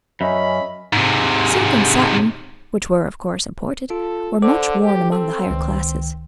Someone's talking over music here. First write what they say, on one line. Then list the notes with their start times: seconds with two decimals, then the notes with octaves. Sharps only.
Silk and satin, which were of course imported, were much worn among the higher classes.
0.21 F#2 C#4 D#5 E5 B5
0.93 G#2 C3
3.90 F4 A4
4.42 D3 A4 C5 D6
4.83 G4
5.12 C4 A4
5.51 C#2 D#3